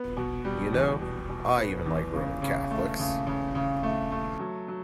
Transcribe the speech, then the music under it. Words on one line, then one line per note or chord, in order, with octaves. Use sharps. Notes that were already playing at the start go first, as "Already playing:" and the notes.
You know, I even like Roman Catholics.
Already playing: B3
B2
G3
E2
B2
B2
B3
E2
C#3
C#3
A3
C#3
C#3
C#3
A3
A3
F#3
F#3